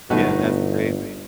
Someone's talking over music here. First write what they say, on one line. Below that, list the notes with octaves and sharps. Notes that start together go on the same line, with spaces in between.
Yeah. That's crazy.
G1 B2 F#3 A3 D#4